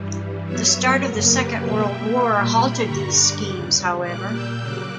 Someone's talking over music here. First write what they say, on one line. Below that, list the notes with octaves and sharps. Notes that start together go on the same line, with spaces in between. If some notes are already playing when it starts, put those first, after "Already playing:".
The start of the Second World War halted these schemes, however.
Already playing: G2 E3 G3
G2 F#3 B3 C#5 E5
A#4
F#2 C#3 F#3 A#3 A#4
G4 B4
B2 A#3 E5 G5
A#2 G3 A#3
G5 B5
G2 D3 G3 A#5 C#6
D6 F#6
E2 C#3 G3
A#2 G3 A#3 D6 F#6
E6 G6
C#3 F#3 A#3 D6 F#6